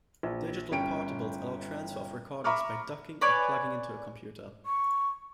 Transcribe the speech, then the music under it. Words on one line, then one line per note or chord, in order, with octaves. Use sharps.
Digital portables allow transfer of recordings by docking or plugging into a computer.
A#1
G1 C#4 G5 D7
E5 A#5 B5 C#6 D6 F6
B4 C#5 D5 G#5
C#6